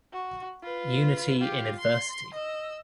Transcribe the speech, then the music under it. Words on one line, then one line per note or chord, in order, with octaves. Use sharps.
Unity in adversity!
F#4
F4 B4
F4 G4
C6
D#5 E6